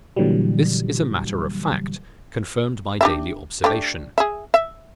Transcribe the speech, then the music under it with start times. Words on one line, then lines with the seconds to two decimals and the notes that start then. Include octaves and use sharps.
This is a matter of fact, confirmed by daily observation.
0.16 A#2 D3 E3 F#3 G3
3.01 D4 G4 E5
3.64 A3 D4 G4
4.18 G#4 E5
4.54 E5